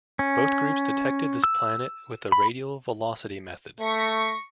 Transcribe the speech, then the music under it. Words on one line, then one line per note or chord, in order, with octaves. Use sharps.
Both groups detected this planet with the radial velocity method.
C#4
E6
B5
A3 C#6 A#6 B6